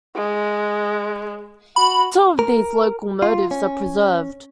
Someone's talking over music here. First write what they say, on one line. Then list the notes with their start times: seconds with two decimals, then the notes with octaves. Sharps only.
Two of these locomotives are preserved.
0.15 G#3
1.76 F#4 B5
2.39 A#4
3.22 F4
3.51 C#4